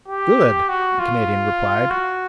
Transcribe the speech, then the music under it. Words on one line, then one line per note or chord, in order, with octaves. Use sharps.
"Good!" the Canadian replied.
G4
F#4
F4
F#4